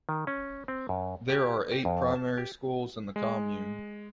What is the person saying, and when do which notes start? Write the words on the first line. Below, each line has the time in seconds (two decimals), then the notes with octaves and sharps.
There are eight primary schools in the commune.
0.09 D#3
0.27 C#4
0.68 C4
0.89 F#2
1.30 G4
1.72 G4
1.85 F2
2.16 A5
2.38 G4
3.16 G#3